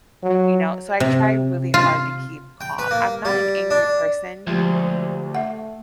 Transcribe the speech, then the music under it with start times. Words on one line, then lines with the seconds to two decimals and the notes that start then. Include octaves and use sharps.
You know? So I try really hard to keep calm, I'm not an angry person,
0.23 F#3
1.00 C3
1.74 F4
2.61 G5
2.79 B4
2.91 A#3
3.25 G3
3.71 D4
4.47 D2 F3 G#3 G4 C5
5.35 A3 E5 F#5